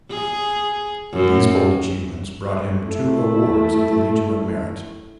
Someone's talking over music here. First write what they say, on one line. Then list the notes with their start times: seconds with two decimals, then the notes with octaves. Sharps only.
These bold achievements brought him two awards of the Legion of Merit.
0.11 G#4
1.12 F#2
2.85 A3 E4